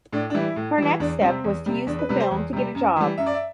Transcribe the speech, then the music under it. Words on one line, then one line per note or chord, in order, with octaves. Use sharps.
Her next step was to use the film to get a job.
A2 D4
D4
E3 G3 E4
A2
E3 G3
E2 D4
C3 G3 C4
E2
C3 G3
E2 D4
B4
C3 G3 B4
C5
E2
C3 G3
F#2
E3 G3
F#2 E5
D5
E5